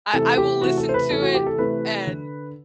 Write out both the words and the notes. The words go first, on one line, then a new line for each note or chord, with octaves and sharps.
I I will listen to it and,
C3 E3 A3 A4
G4
C3 E3 A3 F#4
A4
C5
B4
C3 E3 A3 A4
F#4
G4
A4
C3 E3 A3 B4
D3